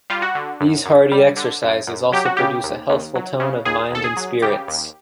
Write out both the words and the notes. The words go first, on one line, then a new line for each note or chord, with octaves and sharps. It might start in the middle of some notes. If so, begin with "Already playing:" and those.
These hardy exercises also produce a healthful tone of mind and spirits.
G3 F4
F#4
D3
F#2
F#2
G3
D3
F#2
F#2
F#3 G4
F#4
C#3 G4
D#2
D#2
F#3
C#3
D#2 G#4
D#2 A4
G#4
F#3
C#3 G4
D#2